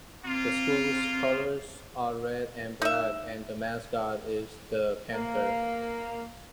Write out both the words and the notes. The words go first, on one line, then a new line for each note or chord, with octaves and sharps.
The school's colors are red and black, and the mascot is the Panther.
A#3 C4 F4
D#4 E5
A#3 F5